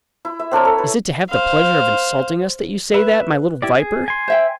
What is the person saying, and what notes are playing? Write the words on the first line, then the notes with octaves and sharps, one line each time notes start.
"Is it to have the pleasure of insulting us that you say that, my little viper?"
E4
E5
C4 D4 A#4 C#5
A4
B4
C5 F5
B4 E5
E4 G4 D5
G#4
G#5 C6
C5 E5 G5